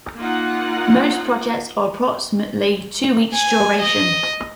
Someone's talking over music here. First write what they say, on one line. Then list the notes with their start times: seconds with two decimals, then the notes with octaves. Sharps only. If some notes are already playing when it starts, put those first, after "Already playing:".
Most projects are approximately two weeks duration.
0.17 A#3 D#4 F4 F#5
3.34 G#5
3.81 D#5